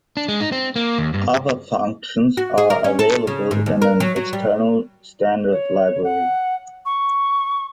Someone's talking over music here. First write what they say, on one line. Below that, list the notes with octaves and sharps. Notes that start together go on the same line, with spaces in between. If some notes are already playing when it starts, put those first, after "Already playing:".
Other functions are available in an external standard library.
D4
G#3
D#4
C4
A#3
D#2
G2
F#4
G#4
A#4
C#4
A4
C#3
G#2
D#2
A#4
F#3
F#3
G3
C#5
F#5
C#6